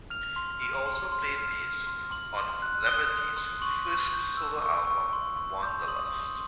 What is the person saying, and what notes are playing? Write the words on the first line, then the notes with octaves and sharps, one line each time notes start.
He also played bass on Leverty's first solo album, "Wanderlust".
F6 F7
C6
F6
C6
C6
F6
F6
C6
C6 F#7
C6
F#6
D#6 G7
C6
C6
C#6 F#7
C#6
G6
E6
C#6
C#6
C6
C6
G6
D#6 F#7
C6